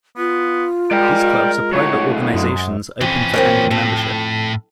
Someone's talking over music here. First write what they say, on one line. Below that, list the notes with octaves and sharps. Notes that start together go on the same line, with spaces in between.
These clubs are private organisations open for annual membership.
B3 F4
G#3 A#4 D5 G5
A2 F#3 C#5
F#2 G#3
F2 E3 C#4
F#3 A#3 C4
F2 A2